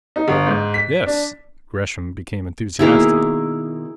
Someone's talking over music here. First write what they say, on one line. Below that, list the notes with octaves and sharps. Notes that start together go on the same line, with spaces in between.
"Yes!" Gresham became enthusiastic.
D#4
G1
G#2
B6
D4
B2 D#3 A#3 E4 G#4 A#4